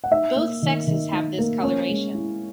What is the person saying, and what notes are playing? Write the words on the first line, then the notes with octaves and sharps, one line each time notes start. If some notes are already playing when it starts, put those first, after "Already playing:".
Both sexes have this coloration.
F#5
D#4 E5
A#3
D#3
D#3
D#4
A#3
C#4
G#3
E4